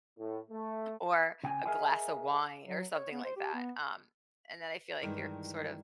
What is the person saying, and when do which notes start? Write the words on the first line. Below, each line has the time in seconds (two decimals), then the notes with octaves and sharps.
Or a glass of wine or something like that, um, and then I feel like you're sort of
0.17 A2
0.50 A3
1.43 C#3 G5 G#5
1.66 G#4 A#4 D#5 E5 G#5
2.68 F#3
2.94 C#5
3.11 B3
3.24 C5
3.36 G4
3.54 B3
5.02 G2 D#3 E3 G#3